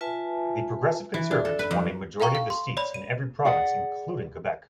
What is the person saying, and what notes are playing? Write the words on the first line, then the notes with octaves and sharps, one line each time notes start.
The Progressive Conservatives won a majority of the seats in every province, including Quebec.
F4 B4 E5 G#5 A5
E3
D4
A4
B4
F2
A4 F5 G5 A#5 C#6
F5
C6
C#5 D5 B5
D#7
G#4 D5 F#5